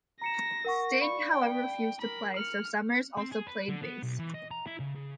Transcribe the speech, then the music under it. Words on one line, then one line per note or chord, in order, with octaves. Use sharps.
Sting, however, refused to play so Summers also played bass.
A#5 A#6 C#7 E7
A#4 F#5 C#6
D5 F5 B5 C#6
G5
A#4 B5
F6 C#7 F#7
C4
G#4
B4
D3
B3
B1
E3
D#5
A#5
E4
C#3
C#3